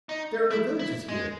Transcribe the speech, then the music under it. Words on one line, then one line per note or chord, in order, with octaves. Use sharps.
There are no villages here?
D#4
E4
E4
G#3